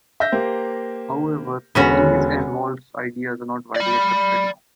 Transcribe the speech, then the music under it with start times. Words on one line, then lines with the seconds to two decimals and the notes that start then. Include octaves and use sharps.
However, Keys and Wohletz' ideas are not widely accepted now.
0.20 E5 G6 A#6
0.32 A#3 G4 C5
1.75 E1 D3 B3 C#4 F#4
3.76 D5 B5